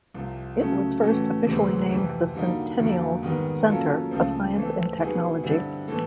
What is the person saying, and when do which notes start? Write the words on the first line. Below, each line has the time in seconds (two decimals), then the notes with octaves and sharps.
It was first officially named the "Centennial Centre of Science and Technology".
0.14 C2 C3 F3
0.59 C#3 F#3 A3 C#4
1.03 A2 E3 A3 C#4 F#4
1.47 D2 C3 E3 G#3 C4
1.91 F2 C3 E3
2.35 D3 G3 A#3 D#4 F#4
2.79 F2 D3 F#3 A#3
3.23 G#2 D#3 G3 B3
3.67 F#3 A#3 C#4 F4 A4
4.11 C#2 C#3 F3 A3 C4
4.56 E3 A3 C4
4.99 B2 G3 B3 D#4 G#4
5.43 G2 D3 G3 C4 E4
5.88 A2 E3 A3